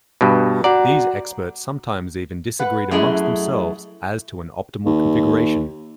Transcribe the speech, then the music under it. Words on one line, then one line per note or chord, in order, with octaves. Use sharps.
These experts sometimes even disagreed amongst themselves as to an optimal configuration.
G2 B2
F#4 D5 F#5 A#5
B4 F#5
F#2 G#3 A3 E4 G#4
D#2